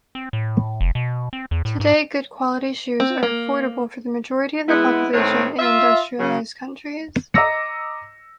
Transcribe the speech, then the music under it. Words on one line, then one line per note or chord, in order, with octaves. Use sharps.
Today good quality shoes are affordable for the majority of the population in industrialized countries.
C4
A2
F1
B2
C4
E2
A2
G#2
C4
A#3
G#3 B3 E4
A2 D#3 A3 C4 B4 C#5
F4 E5
C#3 F#3
D#5 A#5 D6 E6 A#6 C#7